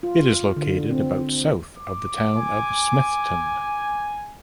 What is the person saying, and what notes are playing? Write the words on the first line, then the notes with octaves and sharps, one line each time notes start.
It is located about south of the town of Smithton.
F4
D3
C4
D6
G#5